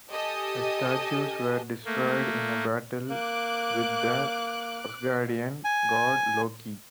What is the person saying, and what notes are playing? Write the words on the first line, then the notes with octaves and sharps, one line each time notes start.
The statues were destroyed in a battle with the Asgardian god, Loki.
G4 A4 D#5 G#5
A3 A#3
A#3 D6 F#6
G#5